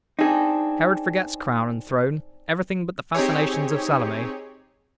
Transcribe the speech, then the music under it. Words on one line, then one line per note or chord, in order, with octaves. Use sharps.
Herod forgets crown and throne,--everything but the fascinations of Salome.
C4 D4 D#4 G#4
C4 D#4 G4 G#4 C#5